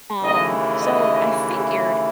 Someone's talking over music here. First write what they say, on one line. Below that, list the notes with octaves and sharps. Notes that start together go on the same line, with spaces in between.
Um, so I figured,
D#2 C#3 E3 A3 D#5
D#5